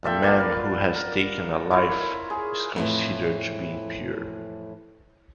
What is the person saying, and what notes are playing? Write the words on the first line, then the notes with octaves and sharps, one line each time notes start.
A man who has taken a life is considered to be impure.
A#2 A4 E5 G5
A#4 D5 F5 F#5
B4
A#4
E4 F4 A#4 C#5
G#4
F2 A2 E3